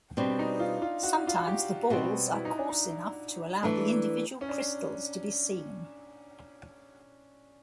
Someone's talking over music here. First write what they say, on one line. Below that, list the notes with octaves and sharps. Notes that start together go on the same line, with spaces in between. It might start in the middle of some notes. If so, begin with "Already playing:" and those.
Sometimes the balls are coarse enough to allow the individual crystals to be seen.
B2 G3 C4 D4
D#4
F4
F4
F#4
F4
F#4
G4
B2 G3 C4 F#4
E4
D#4
D4
D#4
E3 A3 D4
C#4
D4